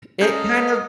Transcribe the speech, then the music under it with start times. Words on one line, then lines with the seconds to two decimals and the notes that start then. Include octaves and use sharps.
it kind of
0.21 C#4 A4 D#5 F5 A#5 G6